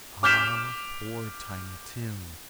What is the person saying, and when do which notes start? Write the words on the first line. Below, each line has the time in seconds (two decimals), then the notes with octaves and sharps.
Ah, poor Tiny Tim!
0.23 D6 F6 G6 B6 E7